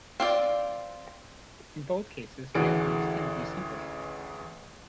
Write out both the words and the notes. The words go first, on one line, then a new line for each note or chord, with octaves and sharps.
In both cases, backgrounds tend to be simple.
C4 F4 D5
A1 D2 E3 F#4 G#4 D7